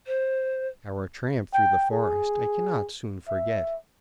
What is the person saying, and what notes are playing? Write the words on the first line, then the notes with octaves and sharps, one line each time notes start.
Our tramp through the forest I cannot soon forget.
C5
G5
G#4
E5